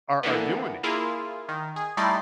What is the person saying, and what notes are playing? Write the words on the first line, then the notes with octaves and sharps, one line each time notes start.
are are doing it.
D3 E3 A#3 B3
A#3 E4 F4 G#4
D#3
G#4
G3 A3 D#4 E4 D5 C6